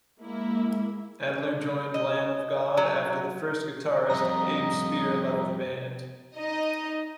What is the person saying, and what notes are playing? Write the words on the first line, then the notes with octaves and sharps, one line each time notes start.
Adler joined Lamb of God after the first guitarist, Abe Spear, left the band.
G#3 A#3 E4
D#5
F#3
F2 G3 D#5 A#5
D#4 D#5